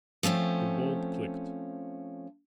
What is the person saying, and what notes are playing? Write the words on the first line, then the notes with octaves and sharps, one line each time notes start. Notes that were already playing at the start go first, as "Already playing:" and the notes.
The bolt clicked.
F3 A3 C4 C#4